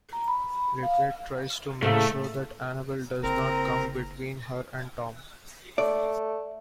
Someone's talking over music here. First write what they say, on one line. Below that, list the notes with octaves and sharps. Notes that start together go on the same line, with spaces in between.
Lynette tries to make sure that Annabel does not come between her and Tom.
A#5
B5
F5
A2 C#3 A3 A#3
F#1 C4 A#4 A#5
A3 D5